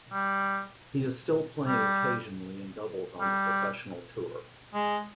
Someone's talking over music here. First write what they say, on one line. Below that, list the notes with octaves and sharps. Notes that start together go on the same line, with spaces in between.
He is still playing occasionally in doubles on the professional tour.
G3
G3
G3
G#3